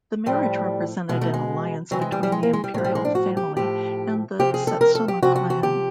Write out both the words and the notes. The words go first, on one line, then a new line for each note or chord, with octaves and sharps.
The marriage represented an alliance between the imperial family and the Satsuma clan.
A2 F3 G3
B2 G#3
A3
G#3
C3 E3 F#3
G#3
G3
G3
G#3
A#3
G#3
G3
A2 F3 F#3
G3
G#3
D4
F#4
G4
A2 F3 G4
C3 F3 G4
G#4
A4
A#4
A4
G4
C3 F3 F#4
F#4
F#4
G4